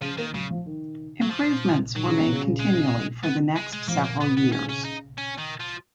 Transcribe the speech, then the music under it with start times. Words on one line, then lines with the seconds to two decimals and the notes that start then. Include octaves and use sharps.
Improvements were made continually for the next several years.
0.01 C#3 F3
0.17 D#3 A#3
0.34 C#3 F#3
0.51 F3
0.66 D#3
1.22 F#3
1.31 F3
1.95 D#3 F#3
2.07 C#3
2.20 B2
2.32 C#3
2.59 G#3
3.23 B3
3.56 G#3
3.73 G#3
3.88 F3 A#3
4.04 A#3
4.21 B3
4.37 D#3 B3
4.52 C#3 C#4
4.69 C#4
4.85 D#4
5.18 C#4
5.38 D#3
5.60 F3